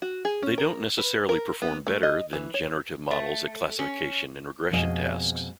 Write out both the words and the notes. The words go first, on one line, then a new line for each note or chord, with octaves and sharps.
They don't necessarily perform better than generative models at classification and regression tasks.
F#4
G#4
C#4
A#4
B4
A#4
B3
A3
D#5
E3
C#5
A3
C#4
F2 B2 G#3 G#4 D#5